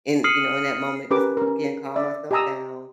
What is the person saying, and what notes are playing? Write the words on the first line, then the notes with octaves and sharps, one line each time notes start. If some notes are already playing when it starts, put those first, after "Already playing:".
in you know, in that moment just to, again, calm myself down,
D#6 F6 C7 C#7 D#7 F#7
C#4 G4 A#4 B4 D6
C#4 A#4
D5 E5
G4 D#5 G#5 A#5 D#6 E6